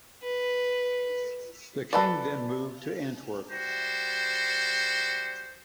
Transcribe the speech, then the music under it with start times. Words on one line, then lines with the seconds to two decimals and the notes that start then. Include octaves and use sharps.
The King then moved to Antwerp.
0.23 B4
1.93 A4 B4 D5
3.51 G3 F#4 C5